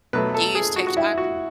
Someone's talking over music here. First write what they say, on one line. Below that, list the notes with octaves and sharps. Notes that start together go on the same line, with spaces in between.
Do you use TikTok?
B2 F#3 A3 B4
A4
G#4
F#4
F#4
E4
F#4